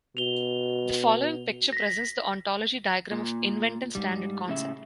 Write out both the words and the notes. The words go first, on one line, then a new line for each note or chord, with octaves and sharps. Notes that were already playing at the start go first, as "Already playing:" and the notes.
The following picture presents the ontology diagram of Inventive standard concept.
B2 F7 G7
A#6 B6
A#2
G#2 G3
A2 C#3 E5